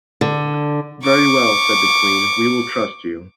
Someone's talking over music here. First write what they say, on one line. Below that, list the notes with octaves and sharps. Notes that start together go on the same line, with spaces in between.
"Very well," said the Queen, "we will trust you".
D3
C#6 D6